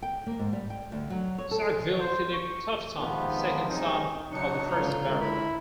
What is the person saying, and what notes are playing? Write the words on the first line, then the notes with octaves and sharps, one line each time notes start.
Sackville Philip Tufton, second son of the first Baron.
G5
A#3
G#2
G3
G5
D2
F#3
C#5
A4
C5
C#6
G#2 C3 D#3 F3 B3
C3 D#3 F#3 G#3 C#4 D#4
C#3 F#3 D4 D#4 C#7
C#2 D3 F4 A#5
G#3 E4 B5